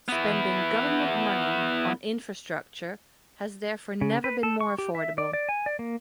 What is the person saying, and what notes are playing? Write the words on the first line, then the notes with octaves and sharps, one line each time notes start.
Spending government money on infrastructure has therefore never been more affordable.
B3 E4
C#3
B4
A4
C#6
G4
E5
D5
D5
G#5
D5
A#3